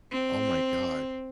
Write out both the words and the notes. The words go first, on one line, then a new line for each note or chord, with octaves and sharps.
Oh my gosh.
C4